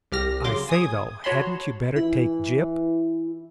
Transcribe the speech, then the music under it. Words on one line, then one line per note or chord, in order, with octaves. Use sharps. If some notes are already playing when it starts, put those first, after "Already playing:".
"I say, though, hadn't you better take Gyp?"
C2 G4 F6 A#6
C#3 F#3 C6 D6
G#5 D#6 G#6
F#4 C#5 A5 B5 C6
E3 E4